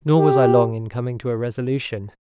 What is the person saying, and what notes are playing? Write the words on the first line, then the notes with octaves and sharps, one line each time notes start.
Nor was I long in coming to a resolution.
G4